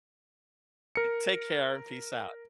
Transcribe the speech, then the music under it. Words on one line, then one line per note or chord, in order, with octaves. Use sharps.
Take care and peace out.
A#4 C#7